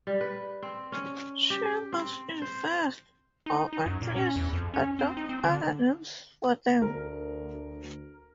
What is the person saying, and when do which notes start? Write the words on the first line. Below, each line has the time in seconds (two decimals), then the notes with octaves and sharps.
She must invent or at least adopt other names for them.
0.07 G3
0.21 B4
0.63 C4
0.92 C#4
1.50 G4
1.92 C4
2.42 C5
3.46 D#4
3.73 D#4
3.86 F#2
4.02 A#2
4.16 C#4
4.36 E2
4.53 F2
4.74 C#4
4.99 C4
5.17 D#4
5.29 C4
5.44 D3
6.82 D2 A#4